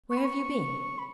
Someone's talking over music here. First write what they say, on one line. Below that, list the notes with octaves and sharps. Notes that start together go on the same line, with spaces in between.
Where have you been?'
C#6
B5
C#6
B5